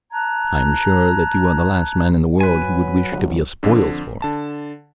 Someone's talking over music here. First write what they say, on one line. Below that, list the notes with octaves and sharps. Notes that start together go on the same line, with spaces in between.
I am sure that you are the last man in the world who would wish to be a spoil-sport.
A5 A#5 F#6 G#6
F#3 B4 G#5
G1
F2 D3
D3 A5